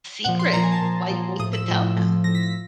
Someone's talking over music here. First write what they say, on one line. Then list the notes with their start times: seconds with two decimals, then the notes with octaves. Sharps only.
secret while you wait to tell them?
0.24 A#2 F3 F#5
0.39 C6
0.53 A#2 F3 A#5
0.64 G#5
0.72 A5
0.82 A#2 F3
1.10 A#2 F3
1.39 A2 F3 D#6
1.53 E6
1.68 A2 F3
1.96 A2 F3
2.24 A2 F3 A#6
2.35 B6
2.43 A#6